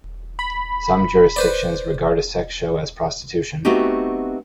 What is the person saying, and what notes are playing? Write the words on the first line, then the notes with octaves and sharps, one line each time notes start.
Some jurisdictions regard a sex show as prostitution.
B5
B4 C5 D5
A3 B3 C4 D#4 F#4 G4